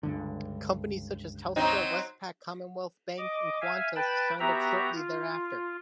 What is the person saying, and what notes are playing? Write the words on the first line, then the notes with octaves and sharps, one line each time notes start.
Companies such as Telstra, Westpac, Commonwealth Bank, and Qantas signed up shortly thereafter.
C#2 G2 D3
F#3 C4 D#4
D#5 D6
E5 F5 G#5
B4 G5 A5 B5
B3 F#4 G4 E5 A#5
F4